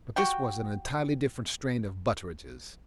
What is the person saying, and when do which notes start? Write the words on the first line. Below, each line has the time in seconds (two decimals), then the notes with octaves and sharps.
But this was an entirely different strain of Butteridges.
0.16 F#4 G4 G5